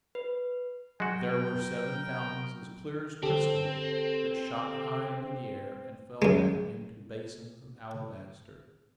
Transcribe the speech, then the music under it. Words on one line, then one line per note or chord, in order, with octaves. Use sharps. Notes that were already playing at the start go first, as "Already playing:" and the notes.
There were seven fountains as clear as crystal that shot high into the air and fell back into basins of alabaster.
B4
F#3 G#3 F#4 A#4 G5
D3 C4 G4 A4
F#2 G#3